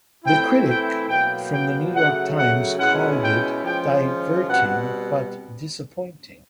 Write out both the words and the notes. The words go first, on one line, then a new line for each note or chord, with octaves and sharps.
The critic from the "New York Times" called it "diverting but disappointing".
E3 A3 C4 E4 G5
G5
B2 F#3 A#3 G5
G5
C#3 F#3 A3 F#5
F#5
B2 G#3 C#4 E4 F#5
G5
F3 G#3 C#4 F4 G5
B2 G3 C4 F#5